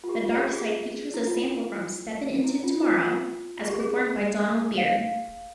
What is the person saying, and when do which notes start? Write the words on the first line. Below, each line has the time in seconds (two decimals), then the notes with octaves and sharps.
"The Darkside" features a sample from "Steppin' Into Tomorrow" as performed by Donald Byrd.
0.04 F4
0.09 G4
0.25 F4
0.38 G4
0.53 G#4
1.14 E4
1.27 F4
2.44 E4
2.64 F4
2.82 F4
3.02 F4
3.60 G#4
3.69 G4
3.79 G#4
4.78 F5